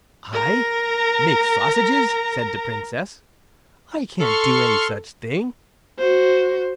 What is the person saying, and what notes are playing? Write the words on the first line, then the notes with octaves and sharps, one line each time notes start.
'I make sausages!' said the Princess; 'I can't do any such thing.
A#4 A#5
A4 C6 C#6 F6
F#4 C5